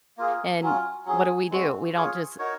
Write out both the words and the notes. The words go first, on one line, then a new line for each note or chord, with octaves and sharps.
And what do we do? We don't just,
A#3 F4 G#4
F#3 C#4 F4
F#3 C#4 G#4
G#3 C4 F#4
F4 G#4 C#5
D#4 F#4 A#4 C#5